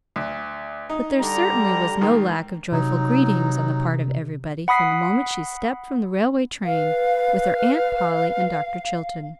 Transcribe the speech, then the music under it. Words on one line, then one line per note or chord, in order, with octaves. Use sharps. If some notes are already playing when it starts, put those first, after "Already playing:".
But there certainly was no lack of joyful greetings on the part of everybody from the moment she stepped from the railway train with her Aunt Polly and Dr. Chilton.
D2
D#4
D3 G3 A#5
G#2 D#3
C3 F#3 D#4
F#5 B5 D#6 B6 C7
B4 F5